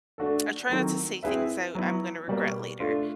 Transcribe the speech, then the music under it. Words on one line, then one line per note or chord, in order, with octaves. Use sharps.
I try not to say things that I'm gonna regret later.
A3 D4 F#4 A4
D#3 F#3 A3 C4
C4 E4 G#4 B4 E5
F#3 B3 E4
B2 G3 A#3
A3 D4 F4